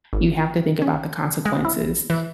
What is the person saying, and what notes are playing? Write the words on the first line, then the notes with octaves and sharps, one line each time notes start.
you have to think about the consequences,
G#1
C#4
G#3
E4
E3